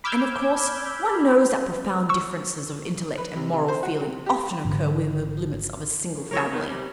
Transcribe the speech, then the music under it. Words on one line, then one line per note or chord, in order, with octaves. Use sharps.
And, of course, one knows that profound differences of intellect and moral feeling often occur within the limits of a single family.'
B5 D6 E6 F6 G6 G#6
C#6 E6
B4
C3
C3
C5
F#4
C3
G4
G#1 G#2 D3 E3
F#2
A#2 G4 A#4 C#5 E5
D#3 B3
C3 G3